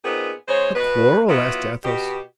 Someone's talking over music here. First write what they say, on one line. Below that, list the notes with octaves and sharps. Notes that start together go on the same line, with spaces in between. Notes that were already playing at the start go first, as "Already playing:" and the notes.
"A quarrel?" asked Athos.
A#2 B3 C4 D#4 G#4
C#3 G#3 C5 C#5
B2 B4
F#3 B3 E4 F4
B2 G4